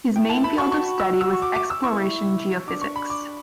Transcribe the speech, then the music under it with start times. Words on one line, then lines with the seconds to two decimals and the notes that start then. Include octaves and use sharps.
His main field of study was Exploration geophysics.
0.16 E4 G5
0.30 A5
0.44 B5
0.58 F#4 C#6
0.72 C#6
1.00 E6
1.21 E6
1.33 C#6
1.42 D6
1.55 D6
1.70 E6
1.84 E4 C#6
2.68 D4 D6
2.82 C#6
2.96 B5
3.10 D6